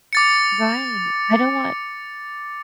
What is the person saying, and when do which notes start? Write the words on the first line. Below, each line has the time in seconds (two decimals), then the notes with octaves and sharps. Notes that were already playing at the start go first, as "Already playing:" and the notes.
Right. I don't want
0.13 D6 A6 C#7